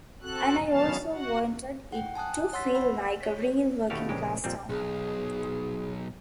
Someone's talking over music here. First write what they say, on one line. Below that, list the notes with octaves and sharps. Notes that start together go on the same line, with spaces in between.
And I also wanted it to feel like a real working class town.
C4 F#4 A4 F#6
D#3 F#3 B3 C#4 F5 A5
F#4 F#5
F#5 G5
G#5 A5 D#6 F#6
C#5 F#5 C6 E6 A6 B6
F#5 B5 E6
C#5 B6
D#2 B2 A3 F#4 G4 F5
A#1 C#3 G#3 G4
F2 A#2 G3 C4
B1 G#4